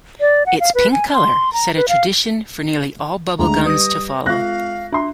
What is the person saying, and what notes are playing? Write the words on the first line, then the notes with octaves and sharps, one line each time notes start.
Its pink color set a tradition for nearly all bubble gums to follow.
D5
F#5
F5
B4
G#5
C6
A#5
B4
F5
D2 G#3 D4 A#5
G3 B4 D#6 A#6
G#3 F4 F5 F#6 A#6
D4 E5 C6